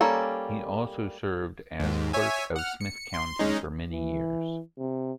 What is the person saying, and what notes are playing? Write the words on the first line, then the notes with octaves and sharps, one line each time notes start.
He also served as Clerk of Smith County for many years.
G3 A#3 C#4 A4
D#2 G#2
C#5 E5 G#5
F#5 F6
C#7
C6
G#3 C#4 D#4
E3
C3